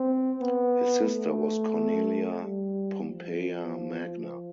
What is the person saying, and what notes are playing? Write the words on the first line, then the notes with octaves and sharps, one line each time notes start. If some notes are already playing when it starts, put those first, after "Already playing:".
His sister was Cornelia Pompeia Magna.
Already playing: C4
B3
A3
G3
F3